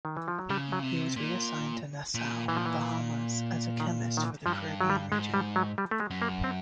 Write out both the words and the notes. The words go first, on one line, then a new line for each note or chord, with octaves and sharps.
He was reassigned to Nassau, Bahamas as a Chemist for the Caribbean region.
D#3
E3
F3
F#3
C#3 G3
F#3
C3
A#2
A#2
A#2 E3
F3
E3
D#3
D#3
E3
G2 F3
F#3
G3
G#2 G#3
G3
F#3
G3
A3
G#3
F#2
A#3
C4